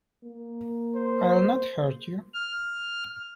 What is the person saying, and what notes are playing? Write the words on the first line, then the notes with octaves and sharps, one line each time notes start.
I’ll not hurt you.
A#3
C5
F6